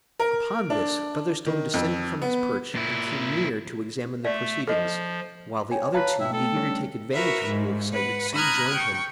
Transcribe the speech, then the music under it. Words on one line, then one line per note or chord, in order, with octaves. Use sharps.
Upon this Featherstone descended from his perch, and came near to examine the proceedings, while the other two, eager to take advantage of the new excitement, soon joined him.
A#4
D4
D#3
F2
B3
A#2 E4
A3 D5 E5
F3 A4 D#5
C#5 G5 G#5
B4 F5 A5 A#5
B2 A3 E5 G5
A4
G3 C#4 D4
F#4 A#4 B4 E5
G#2
B4 F#5
A#5 B5 D#6 F6 F#6 G#6
G5 C#6